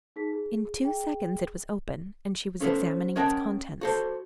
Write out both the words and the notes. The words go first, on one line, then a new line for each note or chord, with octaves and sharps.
In two seconds it was open and she was examining its contents.
D#4 G#4 B6
G#4
G#4 G5
C#4 A4 B4 C5
C#4 A#4 D#5 F#5 G5 A5
F#4 A4 C5